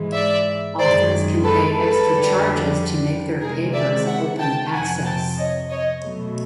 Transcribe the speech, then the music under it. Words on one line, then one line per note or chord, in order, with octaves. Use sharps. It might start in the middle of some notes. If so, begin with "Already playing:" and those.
Authors can pay extra charges to make their papers open access.
Already playing: G#2 E3 G#3
D5 E5
F#2 D#3 G#3 C5 D5
A4 B4
A4 B4
F2 D3 G3
C3 D#3 G#3 G#4 A#4
D5 E5
E5 F#5
G5 A5
F2 C3 F3 F#5 G#5
G5 A5
C#5 D#5
C#5 D#5
B2 F#3 A3